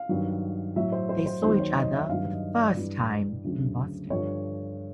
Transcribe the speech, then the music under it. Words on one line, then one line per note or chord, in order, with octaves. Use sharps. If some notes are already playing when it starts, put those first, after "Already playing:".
They saw each other for the first time in Boston.
Already playing: F5
G2 D#3 F#3
A2 F#3 E5
C5
C5
C5
D#2 D#3 F#3 C5
C#5
D#5
E5
G2 D#3 F#3 F5
D#5
D5
G2 E3 G3
D2 C#3 F#3
G2 D3 F3 C#5